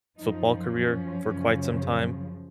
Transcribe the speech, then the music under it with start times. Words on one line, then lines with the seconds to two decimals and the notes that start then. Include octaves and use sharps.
football career for quite some time.
0.19 F#2 F3 D#4
0.71 C#4
1.24 F#2 C#3 F3